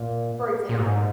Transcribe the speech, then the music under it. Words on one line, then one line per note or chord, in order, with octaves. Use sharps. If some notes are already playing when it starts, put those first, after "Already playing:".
for example,
Already playing: A#2
A#2
G#2